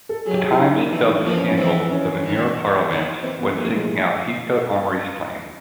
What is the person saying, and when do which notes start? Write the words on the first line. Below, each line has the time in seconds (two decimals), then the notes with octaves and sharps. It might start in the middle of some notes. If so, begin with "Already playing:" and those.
"The Times" dubbed the scandal 'The Manure Parliament' when singling out Heathcoat-Amory's claim.
0.09 A4
0.26 F#3 G#4
0.34 G4
0.42 G#4
0.51 E4
0.59 D#4
0.75 A#3
0.86 D4
0.92 E3 D#4
1.08 E4
1.25 F3 A#3
1.36 C#4
1.47 C#4
1.58 E3 C4
1.90 C#4
2.23 D#3
2.90 D#3
3.23 E3 C4
3.39 B3
3.55 F3 A#3
3.65 A3
3.74 G#3